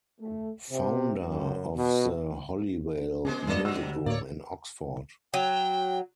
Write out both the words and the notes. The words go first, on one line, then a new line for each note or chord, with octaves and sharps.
Founder of the Holywell Music Room in Oxford.
A3
C3
F#2
B2
A#2 G#3 B3 C#4 C5
G2 G#3 A#3 A4 D5 D#5
C3 F#3 F#4 E6 E7
D2
A2 A#3 C#5 D5
F#3 G5